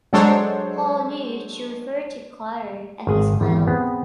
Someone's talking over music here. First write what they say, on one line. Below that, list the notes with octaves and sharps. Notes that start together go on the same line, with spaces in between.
Paul knew she referred to Clara, and he smiled.
F#3 G#3 D4 A4 C5 C#5
G#1 G#4
G#1 E2
B3 C4 G#4